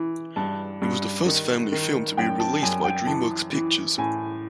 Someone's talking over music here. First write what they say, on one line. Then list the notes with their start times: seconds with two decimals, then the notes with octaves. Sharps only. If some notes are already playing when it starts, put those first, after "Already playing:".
It was the first family film to be released by DreamWorks Pictures.
Already playing: E3
0.36 G2 A5
0.82 G2
1.26 D#3
1.72 D#3
2.17 F#2 G5
2.40 A5
2.62 F#2 G#5
2.84 G5
3.07 E3 A5
3.53 E3
3.98 A2 G#5